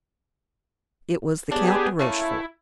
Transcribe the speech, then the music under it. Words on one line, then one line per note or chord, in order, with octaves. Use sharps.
It was the Count de Rochefort.
C#3 B3 D4 G4 G#4
A3 A#3 C#4 E4